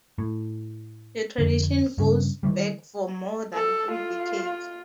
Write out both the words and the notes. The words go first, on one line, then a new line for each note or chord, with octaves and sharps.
The tradition goes back for more than three decades.
A2
F2 D3
G2 C#3
D#3 E3 G3
A4
F4